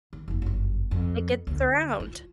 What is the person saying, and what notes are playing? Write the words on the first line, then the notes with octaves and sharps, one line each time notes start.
It gets around.
D#3
F#1 F2
G1 F#2
F2
D2
F4